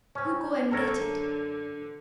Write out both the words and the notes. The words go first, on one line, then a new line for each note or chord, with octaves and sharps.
You go and get it.
C#3 C4 C#4
F#2 D3 D4 A4 A#4 C#5 E5